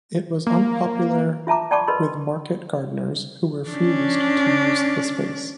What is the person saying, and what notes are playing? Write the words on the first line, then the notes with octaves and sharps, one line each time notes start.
It was unpopular with market gardeners who refused to use the space.
A#3
F4 E5 A5 A#5 D6
D5 G5 A5 B5 C#6 D6
A#4 B4 D#5 B5 C6
C#4 D4